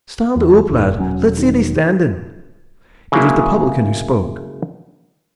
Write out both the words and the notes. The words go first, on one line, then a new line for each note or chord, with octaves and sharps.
"Stand oop, lad; let's see thee standin'." It was the publican who spoke.
E2
F1 A#2 D#3
E1 F#2 F#3 C#4
D#3
C#3 F#3 G#3 A#3 E4